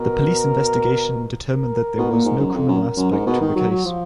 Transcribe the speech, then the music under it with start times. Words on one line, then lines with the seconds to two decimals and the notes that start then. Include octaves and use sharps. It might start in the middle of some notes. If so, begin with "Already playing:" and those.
The police investigation determined that there was no criminal aspect to the case.
Already playing: B2 A#4
1.52 A#4
1.98 B2
2.10 A#2
2.25 G#2
2.39 F#2
2.54 F2
2.68 F#2 A#4
2.97 F#2
3.12 G#2
3.27 B2
3.41 D#3
3.56 F#3
3.71 F#3
3.85 F3